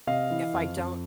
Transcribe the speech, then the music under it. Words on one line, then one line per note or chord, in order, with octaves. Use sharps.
if I don't
C3 D#5 F5
E3
F2
F2